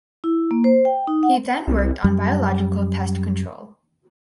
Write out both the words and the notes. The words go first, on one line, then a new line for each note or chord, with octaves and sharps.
He then worked on biological pest control.
E4
A#3
C5
G5
D#4
F#5
C2
F#2 G3